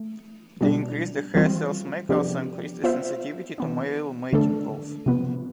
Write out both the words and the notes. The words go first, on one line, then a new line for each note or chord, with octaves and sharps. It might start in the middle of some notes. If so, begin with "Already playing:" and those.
The increase the hair cells make also increase the sensitivity to male mating calls.
Already playing: A3
B2 G3 D4
E3 G3 C4 F4
C3 F3 B3 D4 G4
B3 F4 C5 E5
E3 B3 D4
D3 A3 D4 A4
C3 F3 B3